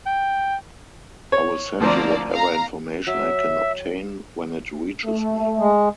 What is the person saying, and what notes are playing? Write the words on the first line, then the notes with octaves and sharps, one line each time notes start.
I will send you whatever information I can obtain when it reaches me.
G5
C#5
D2 F3 A#3 C4 D5 A5
F5 A#5
F#3 E5
A3
G#3